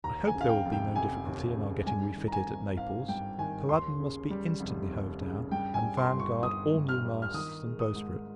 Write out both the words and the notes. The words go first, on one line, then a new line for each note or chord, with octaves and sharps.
I hope there will be no difficulty in our getting refitted at Naples. Culloden must be instantly hove down, and Vanguard all new masts and bowsprit.
D#2 A#5
G#5
C#3
F5
G5
F1
G5
F1 G#5
D#2
C#3
G2 G#5
D#3
A#5
G#5
G#1
G#1 F5
G2 G5
D#3 G#5
D#2 C6
C#3
G3
F1
D#2
C#3
G2 G5
G#5
G3
C6
G1
C#6
G1 D#6
G2
F6
G3
F6
D#3 D#6
G#3
D#6
G#2